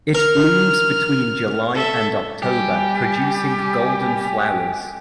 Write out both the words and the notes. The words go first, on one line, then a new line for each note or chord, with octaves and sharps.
It blooms between July and October producing golden flowers.
A#4 F6
A4 E5
G3 G4 G#5